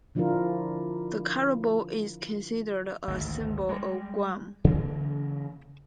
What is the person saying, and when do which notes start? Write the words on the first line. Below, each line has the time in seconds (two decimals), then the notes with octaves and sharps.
The carabao is considered a symbol of Guam.
0.15 D3 F3 D4 E4 F4 A#4
3.07 G#1 D2
3.69 G3 G#3
4.64 C#3 E3 F#3 A#3